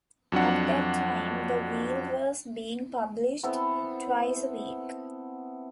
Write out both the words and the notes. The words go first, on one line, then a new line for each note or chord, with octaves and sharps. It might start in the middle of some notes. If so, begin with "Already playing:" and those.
At that time the "Wheel" was being published twice a week.
F2 F#3 D4 F#5
B3 C4 E4 A4